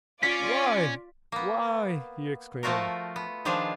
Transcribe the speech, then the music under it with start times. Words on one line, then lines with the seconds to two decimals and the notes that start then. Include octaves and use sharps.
"Why--why!" he exclaimed.
0.23 C#4 F4 D5 B6
1.32 A#3 B3
2.63 F3 A3 F4 F#4 A#4
3.16 B3
3.45 D#3 F3 G#3 D4 F4 F5